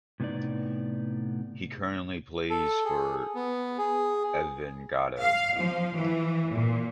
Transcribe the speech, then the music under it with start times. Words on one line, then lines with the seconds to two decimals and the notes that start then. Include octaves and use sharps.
He currently plays for Envigado.
0.20 A2 C3 B3 C4 D#4 D5
2.50 A4
2.85 G#4
3.35 B3
3.78 G#4
5.23 F5
5.58 F3
5.95 E3
6.54 A#2